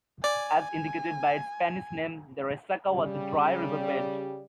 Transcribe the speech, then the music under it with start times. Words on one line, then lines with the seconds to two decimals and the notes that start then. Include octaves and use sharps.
As indicated by its Spanish name, the resaca was a dry river bed.
0.24 D5 G#5
2.88 C#3 G3